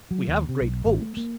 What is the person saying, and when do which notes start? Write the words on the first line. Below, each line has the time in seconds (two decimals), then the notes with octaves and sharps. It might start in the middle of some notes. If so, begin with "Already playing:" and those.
"We have great hopes."
0.11 F#3
0.28 D#2
0.49 C3
0.61 B1
0.85 G#1
1.00 A3
1.17 A#3